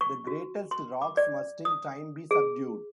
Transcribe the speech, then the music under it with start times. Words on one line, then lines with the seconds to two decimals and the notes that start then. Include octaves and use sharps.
The greatest rocks must in time be subdued.
0.01 C#6
0.27 F#4
0.71 C6
1.02 D6
1.17 D5
1.65 D#6
2.31 G#4